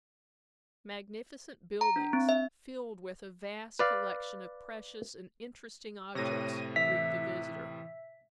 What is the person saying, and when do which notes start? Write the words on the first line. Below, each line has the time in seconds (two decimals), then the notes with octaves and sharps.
Magnificent buildings, filled with a vast collection of precious and interesting objects, greet the visitor.
1.81 A#5
1.96 D4
2.13 C4
2.29 E5
3.79 B4 D5 F5
6.15 A2 C3 C#5 A#6 D#7
6.76 E3 E5 B6